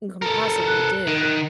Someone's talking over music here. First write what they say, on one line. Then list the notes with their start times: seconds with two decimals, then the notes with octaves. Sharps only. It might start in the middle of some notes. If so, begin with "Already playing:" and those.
can possibly do,
0.22 A4 A#4
0.67 F#6
1.07 D#3